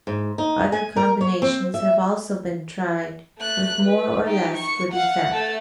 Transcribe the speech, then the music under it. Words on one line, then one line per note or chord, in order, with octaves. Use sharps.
Other combinations have also been tried, with more or less good effect.
G#2
D#4
G#5
A#4
C#5
C4
E5
A3 F#6
B4
D#4 G4
C#6
F5 F#5
A3 A4